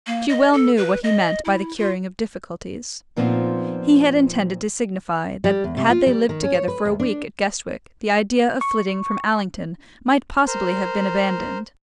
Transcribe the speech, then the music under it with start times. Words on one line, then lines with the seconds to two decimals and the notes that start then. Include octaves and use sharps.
She well knew what he meant by the curing of difficulties. He had intended to signify that had they lived together for a week at Guestwick the idea of flitting from Allington might possibly have been abandoned.
0.07 A#3
0.29 D#5
0.53 A4
0.77 B4
1.04 D#5
1.45 E4
1.78 F4
3.16 A#2 F3 B3 C4 D#4 F4
5.44 G3
5.64 E2
5.77 C3
5.90 F4
6.06 G3
6.29 D#3
6.43 C#4
6.55 C#5
6.68 B4
6.85 D2
6.99 D4
8.61 C#6
10.47 A#4 C5